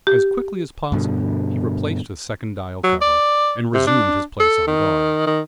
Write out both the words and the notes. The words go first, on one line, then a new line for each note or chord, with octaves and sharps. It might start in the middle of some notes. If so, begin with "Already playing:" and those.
As quickly as possible he replaced the second dial cover, and resumed his place on guard.
G4
G2 B2 D3
F#3
D5
C3
D4
A4
D#3
D#3